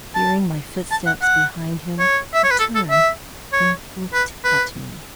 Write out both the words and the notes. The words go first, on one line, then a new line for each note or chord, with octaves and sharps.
Hearing my footsteps behind him, he turned and looked at me.
A5
A5
F#5
F#5
C#5
E5
C#5
B4
A4
A4
E5
C#5
B4
B4